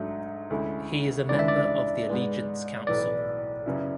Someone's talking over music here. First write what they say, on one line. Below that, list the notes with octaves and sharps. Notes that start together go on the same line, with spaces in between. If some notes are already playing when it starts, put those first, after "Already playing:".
He is a member of the Allegiance Council.
Already playing: G#2 F#3 A3 D4 E5
D2 D3 G#3 C#4 E4
C#2 C#3 E3 G#3 D4 D5
E5
D5
G#2 G#3 B3
B1 A2 E3 B3 D5
F#2 C#3 F#3 B3 E4